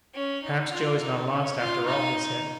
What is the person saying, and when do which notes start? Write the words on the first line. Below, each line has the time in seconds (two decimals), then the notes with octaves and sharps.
"Perhaps Joe is not lost after all," he said.
0.14 C#4
0.43 D#4
0.72 F4
1.00 D#4
1.29 C#4
1.58 F4
1.86 D#4